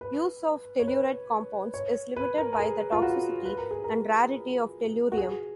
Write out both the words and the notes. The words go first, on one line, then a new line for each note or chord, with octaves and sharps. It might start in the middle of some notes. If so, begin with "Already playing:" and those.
Use of telluride compounds is limited by the toxicity and rarity of tellurium.
B4
C#5
B4
C#5
B4
A#4
A#4
G#4
F4
F#4
B4
A#4
G#4
A#4
F#4
G#4